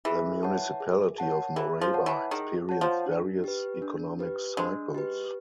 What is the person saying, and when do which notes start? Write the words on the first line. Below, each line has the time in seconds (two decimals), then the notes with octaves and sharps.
The municipality of Maraba experienced various economic cycles.
0.05 E3 G#4
0.43 C#5 F#5 A5
0.80 G#4
1.18 C#5 F#5 A5
1.56 E3 G#4
1.81 F3
1.93 C#5 F#5 A5
2.06 E3
2.31 D#3 G#4
2.69 C#5 F#5 A5
2.81 F3
3.06 D4
3.44 G4 B4
3.82 D4
4.19 G4 B4
4.57 G#3 D4
4.94 G4 B4